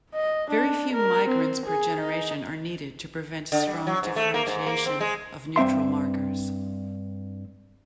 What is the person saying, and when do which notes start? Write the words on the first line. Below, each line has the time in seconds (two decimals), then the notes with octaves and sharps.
Very few migrants per generation are needed to prevent strong differentiation of neutral markers.
0.15 D#5
0.50 D4
0.93 A#4
1.27 C4
1.66 G#4
2.01 D#4
3.52 D3
3.67 G3
3.87 F#3
4.03 G#2
4.16 A3
4.34 A#3
4.47 G#2
4.66 A#3
4.86 C4
5.01 G#3
5.56 G2 C4 E5 C6